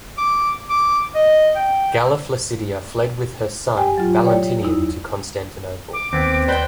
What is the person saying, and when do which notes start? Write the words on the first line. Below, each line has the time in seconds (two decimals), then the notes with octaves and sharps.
Galla Placidia fled with her son Valentinian to Constantinople.
0.18 D6
0.70 D6
1.15 D#5
1.56 G5
3.77 G4 G5 G#5
3.98 F#3 F4
4.25 C#5 D5 G5
4.62 E2 D#4 E4
5.93 D6
6.13 D#2 B3 C4
6.48 B4 C5 D5 G5